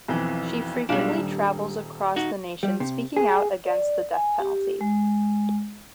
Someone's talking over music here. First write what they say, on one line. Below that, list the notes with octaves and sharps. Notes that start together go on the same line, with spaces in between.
She frequently travels across the nation speaking out against the death penalty.
B1 F2 E3
B1 G3 G#3 D4 F4
D#1
D#4 F#4
G3
C3
G#4
D5
G#5
G4
G#3